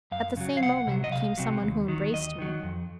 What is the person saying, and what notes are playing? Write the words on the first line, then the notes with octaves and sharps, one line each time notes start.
At the same moment came someone who embraced me.'
F#2 F5
C#3 F#3
F5
C2 F#5
C3 F#3
D#5
C2 F5
C3 F#3
D#2
D#3 F#3
D#2 D#5
D#3 F#3
F2